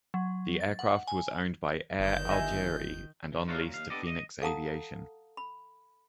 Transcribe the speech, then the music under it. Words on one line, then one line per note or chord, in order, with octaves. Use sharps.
The aircraft was owned by Air Algerie and on lease to Phoenix Aviation.
F#3
A6
F#5
G#5
G1 D#3 G6
D#5 E5 G#5
D#3 E3
D#4 F4 F#4 A4 C#5 F5
F#2 A#2
D#2 F5
B3 D4 G4 A4 D5 D#5
D#5
A4 F5 F#5 A5 A#5 D#6
B5